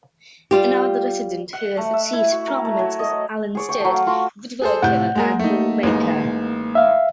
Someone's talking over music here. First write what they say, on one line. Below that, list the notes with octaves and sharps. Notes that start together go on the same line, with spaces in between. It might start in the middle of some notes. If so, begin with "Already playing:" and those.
Another resident who has achieved prominence is Alan Stirt, woodworker and bowlmaker.
G3 F4 G4
F#5
A3
E5
E4
F#4
A#4
A3
F#3
D#5
G#4 C#5 D5
C#5 G5 D#6
F#3 A3
F5
A3 F4 F#4
G#4 A4 C5
A2 C3 F#5 G6
G#3 A#3 G#4 A#4
A3 D#4
A1 G#3 D#4
E5 F5